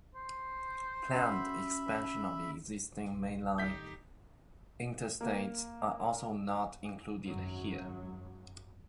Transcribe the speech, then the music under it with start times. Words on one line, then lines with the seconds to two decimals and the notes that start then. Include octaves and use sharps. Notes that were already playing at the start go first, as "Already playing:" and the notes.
Planned expansion of existing mainline interstates are also not included here.
0.15 C5
1.13 C#4 F#4 E5 B5
3.13 B1 A#2
3.58 C2 A2 D#3 D#4 G4 G6 B6
5.21 A#3
7.26 G#1 F#2 F#3